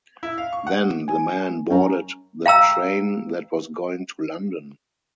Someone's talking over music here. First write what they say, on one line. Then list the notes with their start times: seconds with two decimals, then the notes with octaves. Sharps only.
Then, the man boarded the train that was going to London.
0.23 E4
0.38 F5
0.53 C#6
0.67 F#5
1.08 G#5
1.70 F#2 C#4 A#5
2.46 F5 G5 A#5 E6